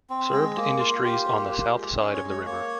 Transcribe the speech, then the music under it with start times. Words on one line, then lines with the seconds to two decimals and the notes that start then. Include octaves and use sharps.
Served industries on the south side of the river.
0.10 C4
0.33 G#3
0.57 A#3
0.80 F4
1.04 F4 G4
1.28 A#3
1.51 F4
1.75 G#3
1.98 C#4 G#4
2.14 C#5
2.22 G#3
2.30 C#5
2.46 A#3 C#5